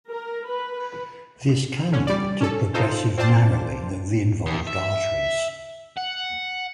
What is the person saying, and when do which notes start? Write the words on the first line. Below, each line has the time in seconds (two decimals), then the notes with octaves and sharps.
This can lead to progressive narrowing of the involved arteries.
0.11 A#4
0.49 B4
1.92 D3 C#4
2.07 G3 D5
2.41 C#4 A4
2.74 D#4 F4 A4 C5
3.17 C4 F4 C5 D5 A5
4.46 E2
4.67 E5
5.97 F#5